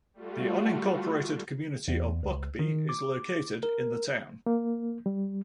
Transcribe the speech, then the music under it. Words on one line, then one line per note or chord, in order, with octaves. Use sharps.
The unincorporated community of Buckbee is located in the town.
G3 A3 F4 F#4
E2
C#2
D#3
D6
A#4
A#3
G3